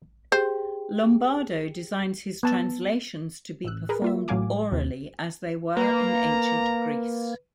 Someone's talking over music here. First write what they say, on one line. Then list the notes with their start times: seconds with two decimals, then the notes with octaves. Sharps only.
Lombardo designs his translations to be performed orally, as they were in ancient Greece.
0.32 G4 G#4 C5 G5
2.43 B3 A5
3.64 A1 E6 F#6
3.89 G#4 A#4 B4
4.02 A#3 F4 E5
4.28 A1 A2 F#3 F5 G#5 D6
4.72 D#2 C3
5.77 A#3 B4 A#5